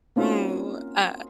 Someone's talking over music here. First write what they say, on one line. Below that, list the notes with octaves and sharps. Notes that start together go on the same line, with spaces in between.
Ooh, uh,
A#3 C4 C#4 D#4 F4 F#4